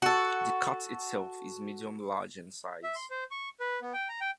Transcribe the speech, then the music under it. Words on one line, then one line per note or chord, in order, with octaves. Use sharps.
The cat itself is medium-large in size.
F#4 A4
E5
C6
C5
C#6
B4
B3
G5
A#5
G5